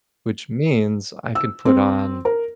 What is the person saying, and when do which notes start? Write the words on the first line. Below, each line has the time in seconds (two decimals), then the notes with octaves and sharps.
which means I can put on,
1.35 E6
1.66 C4
2.25 A#4